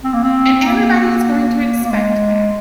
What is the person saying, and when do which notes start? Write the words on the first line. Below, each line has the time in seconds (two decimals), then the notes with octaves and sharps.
And everybody is going to expect that.
0.04 C4
0.13 A#3
0.23 C4
0.67 A#3
1.84 A#3
1.92 G#3